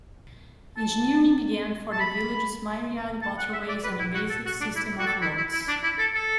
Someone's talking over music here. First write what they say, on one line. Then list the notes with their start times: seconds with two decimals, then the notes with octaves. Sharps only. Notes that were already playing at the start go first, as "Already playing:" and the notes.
Engineering began for the village's myriad waterways and a basic system of roads.
0.77 A5
1.92 A5
2.00 B5
3.22 A5
3.38 F#5
3.53 E5
3.68 D5
3.84 B4
3.99 E4
4.14 F#4
4.30 A4
4.45 F#4
4.61 D4
4.76 E4
4.99 F#4
5.06 A4
5.22 E4
5.37 E4
5.52 E4
5.68 D4
5.83 E4
5.99 A4
6.14 A4